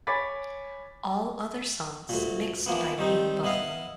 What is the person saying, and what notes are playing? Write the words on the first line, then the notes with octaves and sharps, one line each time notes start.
All other songs mixed by New Buffalo.
C#5 G#5 B5 D6 A6 B6
D2 A#2
E3 F3 A#3 B3
D#3 G3 C4 D#4
B3 E4 D#5 F5